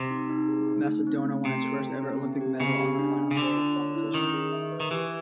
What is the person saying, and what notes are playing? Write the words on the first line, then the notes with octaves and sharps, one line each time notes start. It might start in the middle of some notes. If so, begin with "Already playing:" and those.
Macedonia won its first ever Olympic medal on the final day of competition.
Already playing: C3
D#4
D#4
G#4
D#4
A3
C4
A3
C3 A3
A4
A4
C#4
B3
G4
C#3 B3
G4
D4
D4
C#3
D3 D4
F4
C#5
E4
D#3 C#4
G#4
E5
B4
D#3
E3 G4